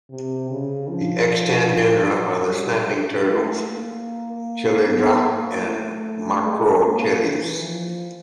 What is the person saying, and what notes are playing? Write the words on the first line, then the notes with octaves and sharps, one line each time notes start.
The extant genera are the snapping turtles "Chelydra" and "Macrochelys".
C3
C#3
F3
F#3
G3
G#3
A3
A#3
B3
A#3
A3
G#3
A#3
E3
F3